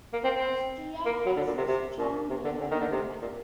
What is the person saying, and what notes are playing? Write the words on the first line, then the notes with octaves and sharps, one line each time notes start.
Austria has a strong labour movement.
A#3
C4
C4
A#3
F#3
D3
A#2
C3
C3
A#2
C3
D3
D3
D#3
D3
C3
A#2